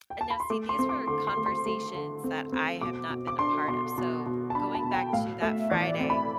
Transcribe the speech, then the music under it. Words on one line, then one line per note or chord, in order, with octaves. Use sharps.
And now see these were conversations that I have not been a part of. So, going back to that Friday,
G5
A5
B5
C6
A3 D6
C6
C4
D6
D3 C6
C6
A3
C6
A3
D3
C4
C4
B2 D6
B2
D6
D4 C6
B2 C6
B2
B2
A5
D4 B5
A5
B2
G5
A2 F5
A3 E5
E3 D5
C4
B5